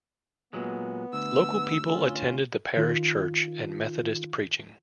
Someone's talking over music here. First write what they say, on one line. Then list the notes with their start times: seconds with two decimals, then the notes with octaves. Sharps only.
Local people attended the parish church and Methodist preaching.
0.53 A#2 F#3 G#3 B3
1.13 D2 E6
1.90 C#4 F4
2.77 D#3 F4